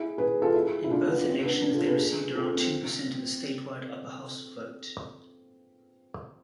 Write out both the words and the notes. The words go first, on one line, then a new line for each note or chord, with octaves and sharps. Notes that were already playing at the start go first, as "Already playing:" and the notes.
In both elections they received around two percent of the statewide upper house vote.
Already playing: E4 G#4
G#4 B4
F4 A4
E4 G#4
E4
D4 F4
B3 D4
C4
B3 D4
B3 D4
F4 A4
G#4 B4
G#4 B4
F4 A4
C4
C4